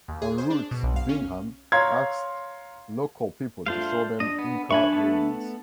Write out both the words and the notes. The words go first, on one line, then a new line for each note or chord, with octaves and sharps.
En route Bingham asked local people to show them Inca ruins.
D#2
G#4
C5
D4
B2
B1
F5
C#4
C#5 F5 A#5 C6 G#6
A3 D4 F4 C5 F5
D4 D#5
B3
D4 E5 G#5 B5 C#6
A3 B3 A4